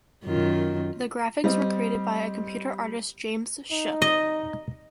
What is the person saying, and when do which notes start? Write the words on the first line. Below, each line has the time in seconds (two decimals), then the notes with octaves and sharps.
The graphics were created by computer artist James Shook.
0.25 F#2 D#3 F4
1.44 G3 C4 D#5
3.71 D#4
4.02 D#5